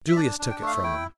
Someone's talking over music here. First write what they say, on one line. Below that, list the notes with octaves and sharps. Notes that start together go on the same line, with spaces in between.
Julius took it from him.
E5
D4 D5
D4
G5
A3 F5
E4 G5